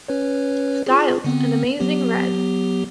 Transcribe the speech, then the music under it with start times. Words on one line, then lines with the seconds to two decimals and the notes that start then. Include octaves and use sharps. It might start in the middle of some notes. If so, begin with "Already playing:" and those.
Styles and Amazing Red.
0.08 C#4 B4 C#5
0.87 F4 G#4
1.24 D3 B3 C4
1.80 F#3 B3 G4